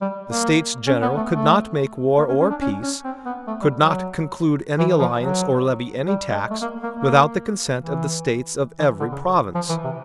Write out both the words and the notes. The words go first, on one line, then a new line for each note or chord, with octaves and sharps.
The States General could not make war or peace, could not conclude any alliance or levy any tax, without the consent of the States of every province.
G3
A#3
C#4
B3
A3
A3
A#3
C#4
C#4
D4
C#4
C#4
C4
B3
A3
G3
F#3
E3
F3
F#3
G3
G#3
A3
A#3
A#3
A#3
E3
E3
D3
C#3
F3
E3
C3